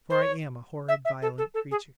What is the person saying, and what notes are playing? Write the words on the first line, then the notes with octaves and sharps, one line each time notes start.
For I am a horrid, violent creature.
C5
C#5
E5
E5
A4
A4
A4
G#4